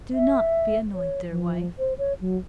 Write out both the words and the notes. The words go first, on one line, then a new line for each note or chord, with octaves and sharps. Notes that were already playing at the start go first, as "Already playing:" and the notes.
'Do not be annoyed, dear wife.
E5
C#5
F3
C5
C#5
F#3